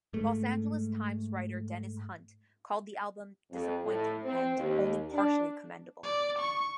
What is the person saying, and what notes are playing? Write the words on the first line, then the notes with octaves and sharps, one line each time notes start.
"Los Angeles Times" writer Dennis Hunt called the album "disappointing" and "only partially commendable".
G#2 A3
F2
A2
C4
D#2
D4
D5
C#6